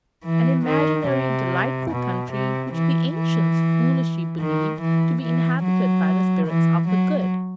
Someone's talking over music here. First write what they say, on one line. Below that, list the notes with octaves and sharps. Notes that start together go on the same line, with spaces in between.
An imaginary delightful country which the ancients foolishly believed to be inhabited by the spirits of the good.
E3
D#3
C3
B2
C3
E3
E3
D#3
E3
E3
F#3
E3
F#3